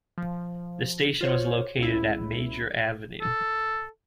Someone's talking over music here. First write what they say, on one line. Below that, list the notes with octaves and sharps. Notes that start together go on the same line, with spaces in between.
The station was located at Major Avenue.
F3
F4 C5 C#5
C#2 E4
A4